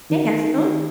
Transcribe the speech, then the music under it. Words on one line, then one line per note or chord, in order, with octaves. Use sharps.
Hey, how's it going?
D#3